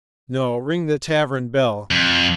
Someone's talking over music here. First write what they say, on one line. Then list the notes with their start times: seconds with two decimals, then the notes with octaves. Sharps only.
"No. Ring the tavern bell!"
1.91 F2